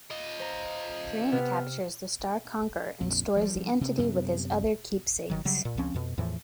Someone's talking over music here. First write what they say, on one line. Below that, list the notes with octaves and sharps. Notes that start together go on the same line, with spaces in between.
Dream captures the Star Conqueror and stores the entity with his other keepsakes.
F4 D#5
C5 A#5
C3 B3 F6
A#1 F2
F3 G3
C3
F#2 A2 C3 B3
G1 D#3 F#3
C#3 F#3 G3
A#2
C#2 F3 C4 C#4
F2 B2
E2 A2 E3 F3